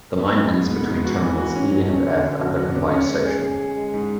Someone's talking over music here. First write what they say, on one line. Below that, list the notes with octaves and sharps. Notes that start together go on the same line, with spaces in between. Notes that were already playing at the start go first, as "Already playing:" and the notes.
The line ends between terminals E and F at their combined station.
B3
B3
G#2
B3
G#2
F#4
E3
F#4
C#4
F#3
C#4
D3
D3
F#3
F#3
D3
C#4
G#3
G#4
G#4
G#4
G#3
G#2